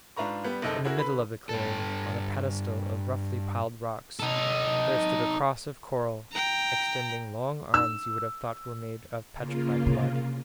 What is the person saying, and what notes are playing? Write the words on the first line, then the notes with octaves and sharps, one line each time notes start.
In the middle of the clearing, on a pedestal of roughly piled rocks, there stood a cross of coral, extending long arms you would have thought were made of petrified blood.
G#2 D4 F4 B4 A#5 C#6
G3 B3
F#1 C3 D#4 A4
E4 F#4 G#4 A#4
D3 B4 B5
G2 A4
D#4 A4
G5 A#5
E6
C#3 A#3 F4
C3